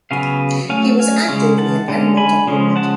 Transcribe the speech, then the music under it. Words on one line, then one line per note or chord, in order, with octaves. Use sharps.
He was active in the environmental movement.
C#3 F#3 B3 F5 G#5
F#3 A3 C#4 F5 G#5
F5 G#5
C#3 G#3 C#4
F#5 A5
D3 G#3 C#4
G#5 B5
C#3 F3 G#3 C#4
F#5 A5